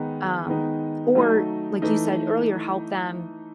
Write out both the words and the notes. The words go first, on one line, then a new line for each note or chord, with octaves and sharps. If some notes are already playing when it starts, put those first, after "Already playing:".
um or, like you said earlier, help them
Already playing: D#3 G#3 B3 D#4
D#3 G#3 B3 D#4
F#3 A3 D#4
E3 A3 D#4